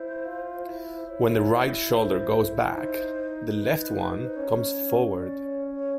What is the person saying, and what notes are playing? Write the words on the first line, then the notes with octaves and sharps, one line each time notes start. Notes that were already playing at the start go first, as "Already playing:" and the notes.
When the right shoulder goes back, the left one comes forward.
Already playing: E4 C5
F4
E4
C5
E4 C#5
C5
D#4 C5
B4
C5
C#4 C#5
D5
C#5
C#5